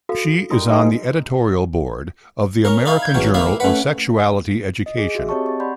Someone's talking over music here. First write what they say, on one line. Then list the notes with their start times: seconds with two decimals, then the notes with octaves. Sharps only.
She is on the editorial board of the "American Journal of Sexuality Education".
0.09 F#4 A4 F5
0.50 G3 D#4 A#4 C6 D#6
0.70 G#2 G#4 D#5 F5
2.65 C#4 A#4
2.86 D#4 E4 F5
3.02 G6 G#6
3.14 G#1 E2 F#3 C#4
3.34 A#3 E4 F5
3.60 A3 C#4 B4 F#5
4.86 D#5
4.98 G#4
5.15 F#4 G#4 E5
5.29 C4 G4 C#5 D#5 A5 C#6
5.46 C#6 A6
5.60 D5 F#5 B5 C6 G6